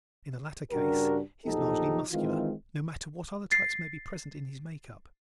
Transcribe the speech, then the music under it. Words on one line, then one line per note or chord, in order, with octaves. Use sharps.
In the latter case he is largely Muscular, no matter what other types may be present in his makeup.
G2 C#3 D4 F#4 G4 A#4
A#1 E2 F3 D#4 G4 A4
D#3 E3 G#3 C4 F4
A6 C7